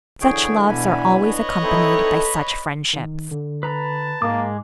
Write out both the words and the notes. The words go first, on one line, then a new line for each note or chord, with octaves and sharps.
Such loves are always accompanied by such friendships.
D3 E3 G#4 C#5 G5
B2 G#5 B5
B4 C#5 D#5
C4 D#4 E4 A4
B5
D#3
D3
B4 A5 A#5
G#2 G#3 A#3 D6